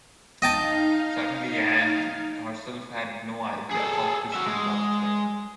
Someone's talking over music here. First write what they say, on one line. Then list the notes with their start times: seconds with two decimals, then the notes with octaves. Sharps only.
Certainly Anne herself had no idea how Christine loved her.
0.42 D#4 D#5 F5 G5 A5
3.71 G#4 A4
4.34 F#4 E5
4.47 G#3